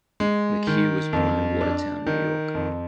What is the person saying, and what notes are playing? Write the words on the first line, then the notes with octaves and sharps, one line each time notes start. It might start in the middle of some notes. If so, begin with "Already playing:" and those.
McHugh was born in Watertown, New York.
G#3
D#3
F2
D4
D#3
F2